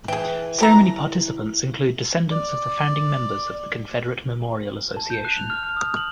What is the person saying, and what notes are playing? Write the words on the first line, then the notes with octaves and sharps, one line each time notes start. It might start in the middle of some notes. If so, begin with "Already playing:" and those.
Ceremony participants include descendants of the founding members of the Confederate Memorial Association.
E3 G#4 G5
G4 A4 A#5
D5
A5
G6
F#6
F7
F6
F6
D#6
F#7